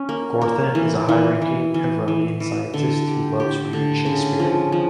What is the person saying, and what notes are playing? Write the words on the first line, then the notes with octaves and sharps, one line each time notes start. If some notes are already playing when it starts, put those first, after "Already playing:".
Gorthan is a high-ranking Evronian scientist who loves reading Shakespeare.
Already playing: C#4
A#3
A#3
E3
E3
E3
E3
E3
E3
D3
G4
G4
D3
C#3
F3
F3